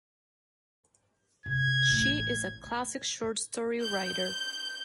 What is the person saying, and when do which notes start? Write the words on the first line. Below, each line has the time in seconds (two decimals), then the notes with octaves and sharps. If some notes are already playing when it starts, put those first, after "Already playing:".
She is a classic short story writer.
1.46 C3 G#6
1.89 A1 A3
3.81 G6